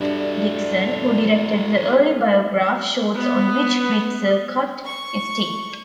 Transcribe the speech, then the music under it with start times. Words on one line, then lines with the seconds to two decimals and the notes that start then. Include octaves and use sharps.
Dickson, who directed the early Biograph shorts on which Bitzer cut his teeth.
0.01 G2 E4 F#4 A4 D5
3.16 B3
4.85 C#6